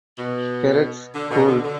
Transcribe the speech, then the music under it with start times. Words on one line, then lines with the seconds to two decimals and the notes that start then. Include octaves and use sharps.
Peretz School.
0.18 B2
1.15 D3
1.30 B2
1.48 D3
1.64 D3